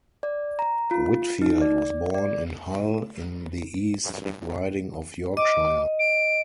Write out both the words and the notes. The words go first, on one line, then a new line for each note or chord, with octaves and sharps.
Whitfield was born in Hull in the East Riding of Yorkshire.
D5
A#5
F4
D#4
D5
D5
D#5 D6
D7